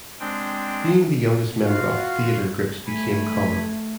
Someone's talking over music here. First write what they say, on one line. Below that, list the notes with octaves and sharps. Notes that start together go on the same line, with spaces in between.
Being the youngest member of theatre groups became common.
G#3 C4 D4 G5
F4 F#4 F5
A3 G#5 B5